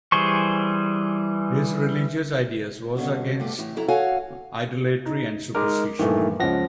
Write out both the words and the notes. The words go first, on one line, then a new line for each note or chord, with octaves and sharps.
His religious ideas was against Idolatry and Superstition.
E3 G3 G#4 C5 C#6
G2 B2 D3 C#4 F#4
G2 A3 D4 F4 G4
A2 E3
F2 F#3 E4 A4 A#5
F#4 A4 C#5 F5 F#5 G#5
D#4
G#3 D#4 A#4 D6
G2 A#2 D#3 E3 A3
C#2 F3 C#4 F#5 A#6